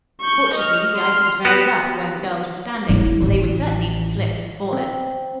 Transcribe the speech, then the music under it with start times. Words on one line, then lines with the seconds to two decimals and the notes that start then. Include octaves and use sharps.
Fortunately the ice was very rough where the girls were standing, or they would certainly have slipped and fallen.
0.21 C#6 G6
0.54 D#5 F6
0.95 C6 F6
1.45 B3 F#4 G4 B4
2.89 F#3 E4
3.21 A1
4.73 C4